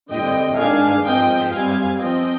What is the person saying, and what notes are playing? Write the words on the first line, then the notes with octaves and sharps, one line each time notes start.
Yugoslavia won eight medals.
D3 G3 C4 D#5 G5
D#3 G#3 D4 F5 G#5
F3 C4 D#5 G5
G3 C4 F5 G#5
F3 C4 D#5 G5